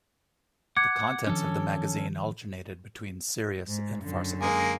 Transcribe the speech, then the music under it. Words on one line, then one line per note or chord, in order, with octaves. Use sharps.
The contents of the magazine alternated between serious and farcical.
F#5 D6 G#6 C#7
D#3 F3 C#4 D4 A4
G#2
F#2 D3
G#3 A#3 G#5